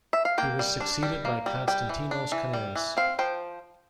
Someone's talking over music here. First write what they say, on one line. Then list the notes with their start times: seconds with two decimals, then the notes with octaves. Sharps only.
He was succeeded by Konstantinos Kanaris.
0.13 E5
0.25 F5
0.38 A#3 G5
0.59 G3
0.80 D4
1.03 G3
1.25 A#3
1.46 G3
1.68 G3 G5
1.89 E3
2.11 D4
2.32 E3
2.53 G3
2.76 E3
2.97 C4 F5
3.19 F3 G5